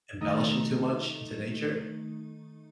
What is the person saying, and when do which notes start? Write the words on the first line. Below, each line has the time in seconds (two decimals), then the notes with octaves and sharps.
embellishing too much into nature?
0.21 D#3 A3 D#4